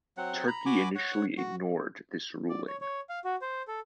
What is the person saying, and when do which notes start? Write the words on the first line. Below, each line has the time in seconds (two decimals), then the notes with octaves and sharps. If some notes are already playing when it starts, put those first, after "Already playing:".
Turkey initially ignored this ruling.
0.17 F#3 C4 F#5
0.47 A#5 B5
0.66 F#4 G#5 B5 D6
0.95 C#5 F#5
1.38 F#4
2.49 D5
2.67 C#5
2.81 C#5
3.09 F5
3.25 F#4
3.42 C5
3.68 A4